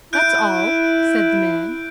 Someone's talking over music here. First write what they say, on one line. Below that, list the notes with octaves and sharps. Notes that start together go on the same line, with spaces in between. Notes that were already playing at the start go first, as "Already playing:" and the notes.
"That's all," said the man.
E4 F#6 G6 D7